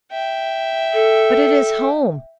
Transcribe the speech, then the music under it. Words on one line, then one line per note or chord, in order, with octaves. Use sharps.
But it is home.
E5 G5
A4